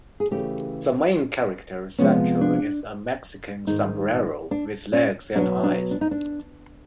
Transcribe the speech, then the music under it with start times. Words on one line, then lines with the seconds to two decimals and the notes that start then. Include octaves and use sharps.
The main character, Sancho, is a Mexican sombrero with legs and eyes.
0.20 G#4
0.31 C#3 E3 A3 C#4 G4
1.98 C3 F3 G#3 B3 C#4
2.41 D4
3.67 G#2 D#3 G#3 D#4
4.51 D4
4.93 C#4
5.35 B2 F#3 B3 D4
5.63 D4
5.91 D4
6.01 D#4
6.11 D4